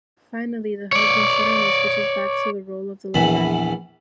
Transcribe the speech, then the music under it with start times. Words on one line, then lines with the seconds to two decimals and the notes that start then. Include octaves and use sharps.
Finally, the husband suddenly switches back to the role of the lover.
0.93 C#5 D5
3.14 A#1 E2 E3 B5